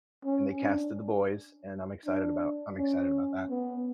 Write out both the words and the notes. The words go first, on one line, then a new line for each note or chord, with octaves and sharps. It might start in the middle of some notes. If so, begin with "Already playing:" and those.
and they casted the boys, and, I'm excited about I'm excited about that.
C#4
D4
D4
C#4
B3